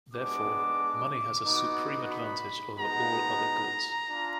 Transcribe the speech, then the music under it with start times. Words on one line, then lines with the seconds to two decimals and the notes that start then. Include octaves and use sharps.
Therefore, money has a supreme advantage over all other goods.
0.13 G#3 B3 D4 D6
1.44 B3 D#4 F#4
2.10 B5
2.76 G#3 B3 D#4 F#4 A#5
4.09 D4 F4